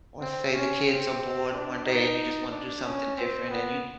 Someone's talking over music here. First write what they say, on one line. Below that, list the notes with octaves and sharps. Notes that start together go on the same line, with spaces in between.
or say the kids are bored one day and you just wanna do something different and you
C4
C#4
C4
D4
D#4
D4
C#4
C4
B3